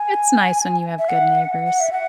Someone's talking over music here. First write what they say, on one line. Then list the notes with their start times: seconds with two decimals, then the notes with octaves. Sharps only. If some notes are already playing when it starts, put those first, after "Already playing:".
It's nice when you have good neighbors.
Already playing: G#5
0.99 E5
1.09 F#5
1.67 F#5
1.80 E5
1.92 F#5